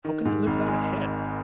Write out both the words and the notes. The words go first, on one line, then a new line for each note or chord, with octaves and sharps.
How can it live without a head?
D#3
G#2
G#1
G#3